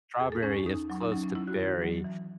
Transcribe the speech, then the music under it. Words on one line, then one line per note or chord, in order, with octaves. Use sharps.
strawberry is close to berry,
E2 G#4
A4
E2 C#4
C#4
E2 D#4
F#3
D#4
F#3 C#4
C#4
F#3 E4
F#4
D#3 F#4
F#3
E3